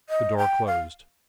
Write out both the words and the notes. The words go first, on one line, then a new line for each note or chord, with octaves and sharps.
The door closed.
D#5
G5
F5